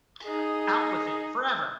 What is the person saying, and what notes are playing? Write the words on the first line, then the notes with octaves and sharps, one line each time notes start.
Out with it forever!
D#4 G#4